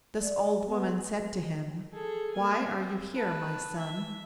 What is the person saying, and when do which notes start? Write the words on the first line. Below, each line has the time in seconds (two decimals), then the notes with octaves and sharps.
This old woman said to him, "Why are you here, my son?"
0.16 D5
0.67 B3
1.92 G#4 A4
2.34 A#3 G#5
2.78 C4
3.14 B4 A5
3.77 E5